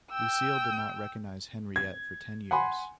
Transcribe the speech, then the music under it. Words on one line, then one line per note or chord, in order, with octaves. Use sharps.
Lucile did not recognize Henriette for ten years.
G5 E6
G#6
F#5 G#5 B5 C6